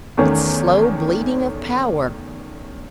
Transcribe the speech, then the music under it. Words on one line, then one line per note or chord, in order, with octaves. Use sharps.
It's slow bleeding of power.'
E2 D#3 A3 C#4